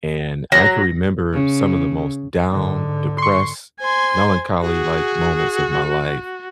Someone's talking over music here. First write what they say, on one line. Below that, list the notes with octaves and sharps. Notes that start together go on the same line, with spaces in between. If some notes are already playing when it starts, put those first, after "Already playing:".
And I can remember some of the most down, depressed, melancholy-like moments of my life
F#3 A#6
C#3
G#2 D3
C6 C#6
C5 G#5 C6
F#4 G#4